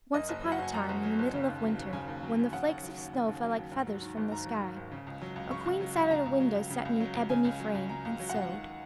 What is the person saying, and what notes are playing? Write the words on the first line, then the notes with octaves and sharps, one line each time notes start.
Once upon a time, in the middle of winter, when the flakes of snow fell like feathers from the sky, a queen sat at a window set in an ebony frame, and sewed.
F#2 D#5
F#1
F#3
F#5
F#1 G#5
F#2 A#5
F#1
F#3
F#1
C#3
D#2
F#3
D#2
C#3 G#5
D#2
F#3
D#2
C#3 F#5
D#2
F#3
D#2
C#3
D#2
F#3
D#2
G#2
F#3
D#3
G#1
G#2 A#5
F#3
D#3
G#1
C#3
C#2
F#3
C#2
C#3 C#6
C#2
F#3
C#2
C#3 A#5
C#2
F#3
C#2
C#3
C#2
F#3
C#2
C#3 G#5
C#2
F#3
C#2
C#3 A#5
C#2
F#3
F#5
C#2
D#3